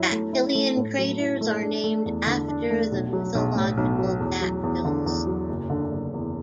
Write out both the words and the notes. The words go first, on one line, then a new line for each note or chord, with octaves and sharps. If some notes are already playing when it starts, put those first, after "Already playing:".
Dactylian craters are named after the mythological Dactyls.
Already playing: F#2 F#3 E4
A3
E4
A3
A2
F#3
E4
A3
D4
A3
E2
D3
D4
A3
B1
F#3
B1
A2
B1
F#3
E2
F#3
E2
D3
E2
F#3
F#1
D3
F#1
E2